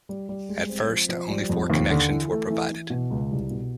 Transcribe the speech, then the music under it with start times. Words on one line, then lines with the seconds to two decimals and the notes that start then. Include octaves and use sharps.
At first, only four connections were provided.
0.09 G3
0.29 G3
0.49 G#3
0.69 C4
0.90 F3
1.09 F3
1.29 G3
1.49 F2
1.70 D#2
1.90 D3
2.10 E3
2.31 A3
2.50 E3
2.71 E3
2.90 B2
3.10 C#2
3.31 C2
3.51 B2